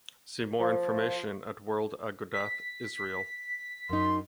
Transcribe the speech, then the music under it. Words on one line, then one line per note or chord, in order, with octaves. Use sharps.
See more information at World Agudath Israel.
F3
B6
F#2 D#4 C6